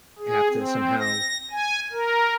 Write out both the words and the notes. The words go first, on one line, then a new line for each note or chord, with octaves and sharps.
have to somehow
G#4
C4
A#6
G#5
A#4